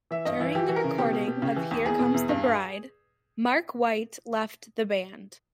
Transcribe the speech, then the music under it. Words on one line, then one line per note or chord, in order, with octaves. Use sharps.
During the recording of "Here Comes the Bride," Mark White left the band.
E3 E5
G2 D#5
E3 E4
E3 G4
E3
A#4
C#3
B2 G4
B2
B2
C#3
E3
D#2
E2 G#4
B2
E2
G2
G2